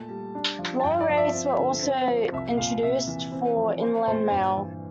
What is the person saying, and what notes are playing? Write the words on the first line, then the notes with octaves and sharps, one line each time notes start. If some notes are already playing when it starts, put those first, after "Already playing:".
Lower rates were also introduced for inland mail.
Already playing: A#2 A3 A5
G3
D4
F3
A5
G2 G5
D5
F3
E5
C4
D3
C4
F3
C2 E5
A#2 F5
C3 E5
E3
C4
F3
C4 C5
A#2 C5
G2
E3